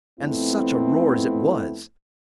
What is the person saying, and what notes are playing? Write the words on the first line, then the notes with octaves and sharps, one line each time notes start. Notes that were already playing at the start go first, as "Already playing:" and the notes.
And such a roar as it was!
F2 A3 B3 C4 E4